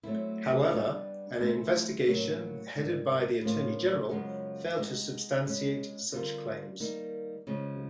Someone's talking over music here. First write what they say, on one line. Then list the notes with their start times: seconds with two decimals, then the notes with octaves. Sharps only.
However, an investigation headed by the Attorney General failed to substantiate such claims.
0.03 F#3 A3 C4 E4
0.71 G3 B3 D4 G4 B4
1.39 E3 A3 C4 E4
2.07 A2 F#3 A#3 C#4
2.75 G#2 D#3 G3
3.41 A2 F3 A#3 C#4 F4
4.09 F#2 C#3 F3 G#3 B3
4.76 G#3 B3 D#4 G#4
5.45 B2 G#3 C#4
6.12 D3 G3 C4 F4 A#4
6.80 D#3 G3 A#3 D#4
7.47 C#3 F3 G#3